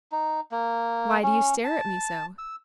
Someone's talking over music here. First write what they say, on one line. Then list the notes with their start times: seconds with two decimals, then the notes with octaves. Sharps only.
'Why do you stare at me so?
0.12 D#4
0.51 A#3
1.23 C#4
1.64 A5
2.38 E6